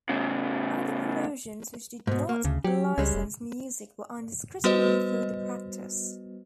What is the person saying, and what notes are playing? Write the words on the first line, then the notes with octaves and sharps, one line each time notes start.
Other promotions which did not license music were under scrutiny for the practice.
A2 C#3
G#2 B2
A#3
D2 C#3
F#3 G4
C#2 G3 G#3 C#4
F1
G3 B3 F#4 B4 C5 D#5